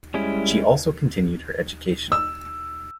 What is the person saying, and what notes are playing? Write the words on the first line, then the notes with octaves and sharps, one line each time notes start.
She also continued her education.
G3 G#3 C#4 E4
E6